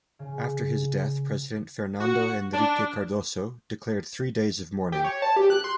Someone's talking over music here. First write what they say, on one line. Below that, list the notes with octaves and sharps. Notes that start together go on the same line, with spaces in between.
After his death President Fernando Henrique Cardoso declared three days of mourning.
C#3
F#4
D4
G4
C#5
A5
G4
F#6
C6